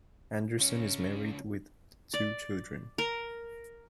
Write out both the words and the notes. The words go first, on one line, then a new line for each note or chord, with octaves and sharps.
Andersson is married with two children.
C#2 C#4
D5
A#4